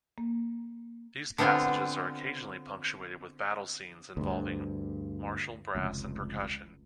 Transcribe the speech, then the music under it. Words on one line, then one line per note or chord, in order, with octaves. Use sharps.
These passages are occasionally punctuated with "battle scenes" involving martial brass and percussion.
A#3
D3 B3 C4 F4 G#5
D2 G2
F1 C#2